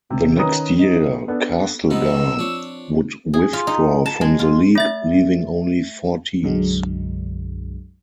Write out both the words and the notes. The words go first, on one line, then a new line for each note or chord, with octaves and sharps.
The next year, Castlegar would withdraw from the league, leaving only four teams.
C3
D#3 C#4 B4 A#5 D#6
D#4
B3 D4 A4
F3 B3 D#4 G4 E6
F3 C4 D4 F4 C#5
G#4
F4
D#4
A5
G#3
F4
A3 E5 A6
B1 F#2 D3 F#3 G#3